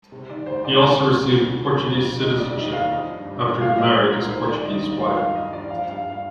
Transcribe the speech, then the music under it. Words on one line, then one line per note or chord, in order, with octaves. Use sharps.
He also received Portuguese citizenship, after he married his Portuguese wife.
C3
D#3 D5
D2 C5
D2 D5
D3
F3
D2
D2
D3
G3
F2
F2
D3 D#5
G3 D5
D#2 D#5
D#2 F5
F3 D#5
G2
G2
F3
A#2 F5
F3 D#5
C2 C5
C2 A#4
D#3 C5
G3 D5
D#2 D#5
D#2 D#5
F3 F5
G2 F5
G2 D#5
F3 D5
F3 F5
G2 F5
G2 F5